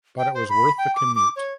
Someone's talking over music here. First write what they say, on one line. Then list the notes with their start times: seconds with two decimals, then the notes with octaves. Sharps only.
But it was worth the commute.
0.18 G5
0.34 C5
0.49 B5
0.78 G5
0.95 D6
1.15 D6
1.36 C#5